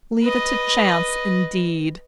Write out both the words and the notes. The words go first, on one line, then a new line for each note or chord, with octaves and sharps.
Leave it to chance indeed!
B4 D#5